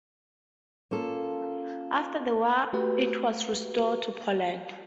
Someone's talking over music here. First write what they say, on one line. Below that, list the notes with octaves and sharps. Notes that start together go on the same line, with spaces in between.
After the war it was restored to Poland.
A#3 C#4 F4 A4
A3 F#4 G4 B4